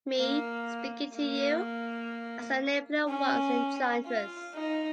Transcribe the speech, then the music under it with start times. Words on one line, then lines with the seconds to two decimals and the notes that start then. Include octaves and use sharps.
Me, speaking to you, I saw Napoleon once, in Chartres.
0.16 A#3
1.14 A#3
3.08 C#4
4.05 F4
4.54 D#4